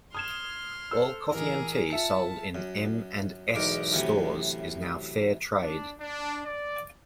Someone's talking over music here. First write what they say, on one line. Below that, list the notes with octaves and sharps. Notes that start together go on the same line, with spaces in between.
All coffee and tea sold in M and S stores is now Fairtrade.
C6 D#6 F6 G#6 E7
A4 C5 E6
A1 G#4 A#4
F4 E5 A5 C#7
F#2
B1 E2 G#2 A#4 D6
F#2 A2 C3 E3
D4
D4
D5